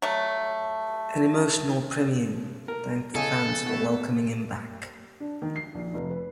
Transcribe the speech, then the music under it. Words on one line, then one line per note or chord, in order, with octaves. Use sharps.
An emotional Primeau thanked the fans for welcoming him back.
F#3 A3
A#4
C#3 A4 D#5 G#5
B2 A3
D4
D#3
C7
A#1
F1
B4